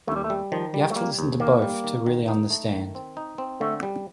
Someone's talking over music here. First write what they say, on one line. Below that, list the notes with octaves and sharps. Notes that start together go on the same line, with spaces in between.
You have to listen to both to really understand.
D#2 A3
G3
A3
G3
D#3 F3
G3
A3
G3 A#3
D#2
D#3 A#3
G3
D#3
D#3
D#4
A3
D#3
C4
D#4
C4
D3 A3
G3